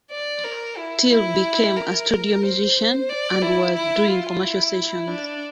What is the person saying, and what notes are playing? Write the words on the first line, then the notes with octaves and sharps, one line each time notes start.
Till became a studio musician and was doing commercial sessions.
D5
A#4
E4
E4
A#4
C5
D5
E4
E4
F4
E4
D4